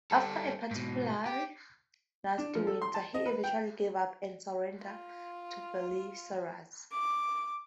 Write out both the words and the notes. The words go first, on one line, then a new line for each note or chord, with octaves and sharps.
After a particularly nasty winter, he eventually gave up and surrendered to Belisarius.
G3 A4
G#2 B2
G4
D4
F3
A4
C6
A5
D#5
B4
G5
F4
D6